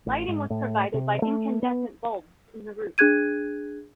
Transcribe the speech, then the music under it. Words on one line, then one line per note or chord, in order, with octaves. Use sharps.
Lighting was provided by incandescent bulbs in the roof.
A1
G#2
A2
C3
A3
B3
D4 G#4 F#6 G#6 D#7